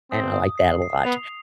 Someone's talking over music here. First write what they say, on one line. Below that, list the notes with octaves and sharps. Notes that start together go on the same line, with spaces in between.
and I like that a lot.
C4 D#6
D#6
C7
C7
B3 F7